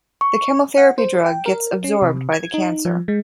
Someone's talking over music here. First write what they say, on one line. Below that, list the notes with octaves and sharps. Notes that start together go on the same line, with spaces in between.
The chemotherapy drug gets absorbed by the cancer.
C#6
F#5
C5
G5
A#4
C#4
C3
G#6
D#4
F3
G#3